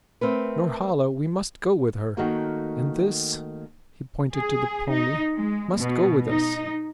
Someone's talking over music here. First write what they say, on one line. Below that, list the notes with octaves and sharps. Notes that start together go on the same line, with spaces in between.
"Norhala, we must go with her. And this"--he pointed to the pony--"must go with us."
A3 C4 A#4 B4
D#3 A3 A#3 F#4 F#5 G5
G#4
D#4
G#3
B2
D#4